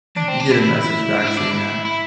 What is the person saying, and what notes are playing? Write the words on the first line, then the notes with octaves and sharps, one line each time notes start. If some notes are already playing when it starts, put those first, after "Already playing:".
you get a message back saying that.
D4
C4
D4
E4
E4
E4
E4
D4
E4
D4
E4
E4